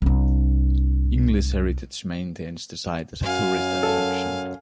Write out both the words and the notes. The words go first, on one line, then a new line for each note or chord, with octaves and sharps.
English Heritage maintains the site as a tourist attraction.
C2 D4
F#2 F5 G#5
A4